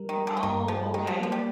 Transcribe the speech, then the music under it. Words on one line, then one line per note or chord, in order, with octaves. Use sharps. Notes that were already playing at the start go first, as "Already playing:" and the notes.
Oh, okay.
Already playing: G3 A#4
D#3
G3
D3
F3
G2 D#3
F3 G3
D#3 G4
F3
F3 A#3
G3